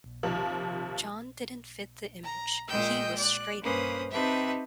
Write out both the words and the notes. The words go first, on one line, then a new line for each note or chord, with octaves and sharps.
John didn't fit the image; he was straighter.
D#2 C3 F3
A#5
A#2 G#3 D#5 G5 E6 G6
D5 F#6
G2 A#3 C#4 B4 C5 D#6
C4 D#4 G4 B4 E5 A5